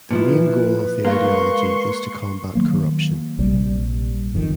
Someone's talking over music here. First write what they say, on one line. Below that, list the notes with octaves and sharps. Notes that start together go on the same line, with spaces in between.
The main goal of the ideology is to combat corruption.
A#2 F3 E4 B4
G#3 A#3 G#4 F5 C6 C#6
D#3 F#3 A#3
A#1 C3 G3
G1 F2 A#2 D#3